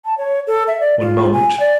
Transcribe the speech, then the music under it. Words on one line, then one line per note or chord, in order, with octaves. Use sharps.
One moment.
A5
C#5
A4
E5
D5
F4
G#5
D5